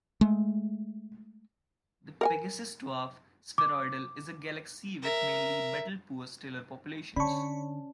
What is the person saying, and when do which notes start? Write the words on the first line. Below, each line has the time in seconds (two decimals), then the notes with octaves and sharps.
The Pegasus Dwarf Spheroidal is a galaxy with mainly metal-poor stellar populations.
0.21 G#3 A3
2.21 A#4 F#5 G#5
3.58 D6
5.02 A#4 E5
7.16 D3 C#4 D5 A5 B5 C#6